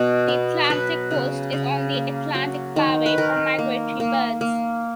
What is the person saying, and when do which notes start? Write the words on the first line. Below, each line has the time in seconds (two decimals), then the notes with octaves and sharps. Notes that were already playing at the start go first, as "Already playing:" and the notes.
The Atlantic coast is on the Atlantic Flyway for migratory birds.
Already playing: B2
0.28 B3
0.70 F#3 B4
1.11 C#3
1.53 C#3
1.94 A#3
2.35 F#3
2.76 D#3
3.06 B4
3.18 D#3 A#4
3.59 A#3
4.00 A#3
4.41 A#3